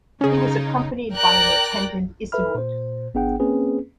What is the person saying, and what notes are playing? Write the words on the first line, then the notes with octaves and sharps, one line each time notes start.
He was accompanied by an attendant Isimud.
C#3 C#4 D#4 G#4
A#4 D5 G5 A#5 F#6
A4 B4 E5 B5 F6
A#2 C5
G1 B3 D4 G#4 F#5 G5
A#3 C4 C#4 G#4 B4